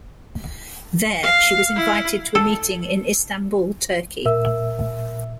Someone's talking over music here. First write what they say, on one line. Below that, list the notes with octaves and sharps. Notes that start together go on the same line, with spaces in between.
There, she was invited to a meeting in Istanbul, Turkey.
F5
E4
A4
A#2 A#4 E5 E6